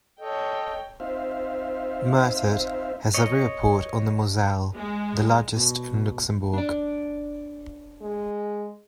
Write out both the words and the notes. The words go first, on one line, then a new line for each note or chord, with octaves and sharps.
Mertert has a river port on the Moselle, the largest in Luxembourg.
A4 C#5 D#5 G5
C4 D#4 F4 C5 E5 F5
C#5 D#5
G#3
B2
D4 D5
G#3